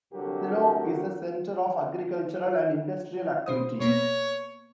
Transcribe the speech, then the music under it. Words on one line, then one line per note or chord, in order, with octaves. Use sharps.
Silao is a center of agricultural and industrial activity.
C2 D3 F#3 F#4 G4 A#4
B2 C5 D#6
B2 A#3 B3 C#5